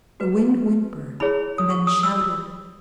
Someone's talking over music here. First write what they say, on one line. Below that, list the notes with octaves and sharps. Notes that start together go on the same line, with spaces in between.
The wind whimpered and then shouted.
F#4 B4
E4 G#4 C#5 B5
D#6
C#6
D#6
E6